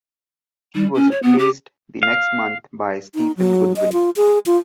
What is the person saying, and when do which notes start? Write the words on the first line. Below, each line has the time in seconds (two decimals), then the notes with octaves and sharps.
He was replaced the next month by Stephen Goodwin.
0.75 G3
0.94 C#4
1.11 C#5
1.22 B3
1.38 G4
2.03 F5
3.15 D#4
3.37 F#3
3.76 D#5
3.93 F4
4.16 G#4
4.46 F4